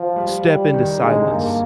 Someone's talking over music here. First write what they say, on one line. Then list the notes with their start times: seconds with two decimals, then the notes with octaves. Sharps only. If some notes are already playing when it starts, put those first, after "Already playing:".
step into silence,
Already playing: F3
0.16 G3
0.45 G3
0.74 D#3
1.02 D3 G#3
1.11 C3
1.31 G2 A#3